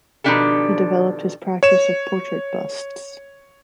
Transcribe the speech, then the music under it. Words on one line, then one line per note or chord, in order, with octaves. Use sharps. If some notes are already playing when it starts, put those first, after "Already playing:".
He developed his practise of portrait busts.
B2 D#3 F3 D4 G4 A4
C#5 E7